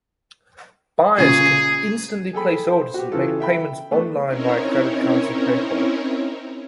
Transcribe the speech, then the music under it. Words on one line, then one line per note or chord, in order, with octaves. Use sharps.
Buyers can instantly place orders and make payments online via credit cards or PayPal.
A#2 C#3 G#4
G#4 A4 G5 B5
C5
F#4 G4
C#3 E3 F4 A4
E5 G5 B5
A3 B3 D4
C4 C#4 D#4 E4 A#4 C#5